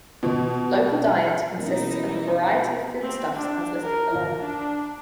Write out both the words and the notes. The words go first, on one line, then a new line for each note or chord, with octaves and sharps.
Local diet consists of a variety of foodstuffs as listed below.
B2
B2 E3 A#3 C#4 D#4 E4
C4
D4
A#4
D4